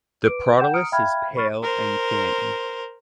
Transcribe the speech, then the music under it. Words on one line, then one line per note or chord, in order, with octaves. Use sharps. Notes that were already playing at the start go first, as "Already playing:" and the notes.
The prothallus is pale and thin.
B4 D6 D7
F#5 G5 G6 E7
A#5 D#6 F6 C#7 D7
E5 F5 G5 B5 F6 G#6
B5 C#6 F6 A6
A#4 C5